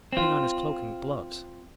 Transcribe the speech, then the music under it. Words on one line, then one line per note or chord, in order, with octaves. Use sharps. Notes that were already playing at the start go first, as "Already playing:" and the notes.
"Putting on his cloak and gloves."
C4 F4